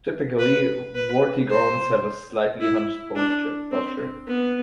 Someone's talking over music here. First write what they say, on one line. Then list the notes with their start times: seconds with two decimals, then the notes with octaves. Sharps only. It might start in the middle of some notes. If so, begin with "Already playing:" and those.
Typically, Vortigaunts have a slightly hunched posture.
0.39 B4
0.95 B4
1.50 C5
2.60 E4
3.15 D4
3.71 C4
4.27 B3